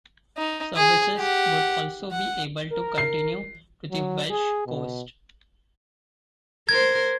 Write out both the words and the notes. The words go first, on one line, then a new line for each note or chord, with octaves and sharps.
Services would also be able to continue to the Welsh coast.
D#4
G#4
G4 F#5
F#5
A#4
C7
F#3
G#4
B2
A#4 C5 G#6